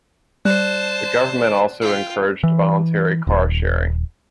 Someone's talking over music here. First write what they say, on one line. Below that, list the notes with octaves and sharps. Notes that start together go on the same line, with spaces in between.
The government also encouraged voluntary car sharing.
G3 C5 D5 A5 F#6
F4 G5
E3
D#1